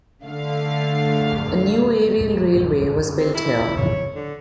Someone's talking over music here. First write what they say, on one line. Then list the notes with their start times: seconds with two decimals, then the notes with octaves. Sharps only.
A new aerial railway was built here.
0.24 D3 A3 F5
3.18 C4
3.34 E4
3.77 C#5
4.14 D3